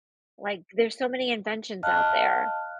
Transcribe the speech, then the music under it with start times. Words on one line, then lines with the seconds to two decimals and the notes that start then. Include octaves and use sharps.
Like, there's so many inventions out there.
1.83 D#5 F5 A5 F6 F#6